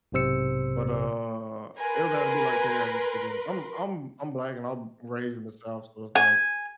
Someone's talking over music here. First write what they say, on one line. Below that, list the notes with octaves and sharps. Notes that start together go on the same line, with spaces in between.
but, uh, it would have to be like teriyaki chicken, I'm I'm I'm black and I'm raised in the South, so it's like,
B1 G#2 C3 C5 E6 C#7
A#4 B4 G#5 C6
G#5